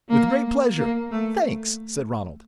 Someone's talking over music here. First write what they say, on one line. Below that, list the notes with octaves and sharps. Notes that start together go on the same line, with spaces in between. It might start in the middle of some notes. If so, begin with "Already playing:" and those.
"With great pleasure--thanks," said Ronald.
A#3
A#3
A3